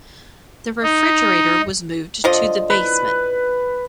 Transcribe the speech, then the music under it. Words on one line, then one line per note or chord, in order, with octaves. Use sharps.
The refrigerator was moved to the basement.
D#4
D3 F3 D#5
B4